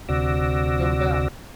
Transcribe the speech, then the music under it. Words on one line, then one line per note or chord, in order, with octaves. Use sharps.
Come back!
D2 C3 F#4 D5 E6 A#6